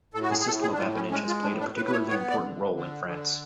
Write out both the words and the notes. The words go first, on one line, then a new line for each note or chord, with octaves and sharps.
The system of appanage has played a particularly important role in France.
A2 A4
F#4
G#4
G#4
A2 A4
G#4
D4
A2 F4
C#4
G#3 C#4
F4
A2 D4
D4
A2 B4
B4
C#5
B3 C#5
D5
D3
D3
D3